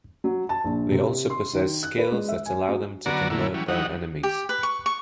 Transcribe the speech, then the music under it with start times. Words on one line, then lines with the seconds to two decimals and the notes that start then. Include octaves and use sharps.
They also possess skills that allow them to convert their enemies.
0.24 F#3
0.49 A5
0.64 A#1
0.92 C3
1.30 C6
1.53 D#3
1.83 F#6
1.98 B4
2.12 G#3
2.28 E5
2.46 G#5
2.69 F#3
3.06 D3 F#3 B3 F#4 D5 A#5
3.30 A2 D3 F#3 A#3 E4
3.54 E3 F#3 G3 C#4
3.68 E3 F#3 G3 D#4 F#5
4.23 G4
4.49 B4
4.63 C#6
4.86 C#6